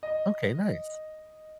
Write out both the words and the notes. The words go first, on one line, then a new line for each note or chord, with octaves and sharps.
Okay. Nice.
D#5